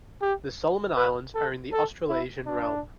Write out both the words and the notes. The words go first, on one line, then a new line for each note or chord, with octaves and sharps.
The Solomon Islands are in the Australasian realm.
G4
B4
A4
A4
E4
D4